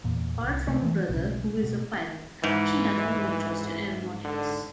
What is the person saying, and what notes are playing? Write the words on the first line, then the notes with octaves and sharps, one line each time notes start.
Apart from a brother who is a pilot, she has no interest in aeronautics.
E2 A#2
C2
C3 A3
E3 A3
B1 C#3
B2
G#2 E3
D3